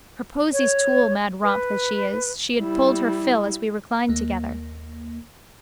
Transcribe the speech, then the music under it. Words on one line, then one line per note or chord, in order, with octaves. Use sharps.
Her posies tool Mad romp that she is, she had pulled her fill as we reclined together.
C#5
B4
G3 E4
D#2 A#3